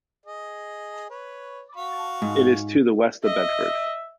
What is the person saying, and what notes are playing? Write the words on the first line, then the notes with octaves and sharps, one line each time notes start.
It is to the west of Bedford.
G#4 D#5
B4 C#5
F#4 F5 C#6
G#2
D#5 E5